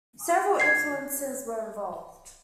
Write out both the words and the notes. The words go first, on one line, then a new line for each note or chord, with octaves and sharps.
Several influences were involved.
G#6 C7